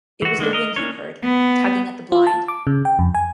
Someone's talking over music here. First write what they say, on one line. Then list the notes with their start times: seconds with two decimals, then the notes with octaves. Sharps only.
It was the wind you heard, tugging at the blind.
0.22 E3 F#4
0.38 D#3 G#3 A#3 D4
0.53 A#4 D#5
0.76 A#3 C#4 D4 C#5
1.23 B3
2.12 F4
2.27 A5
2.48 D6
2.67 C#3
2.85 G5
2.99 F2
3.15 G#5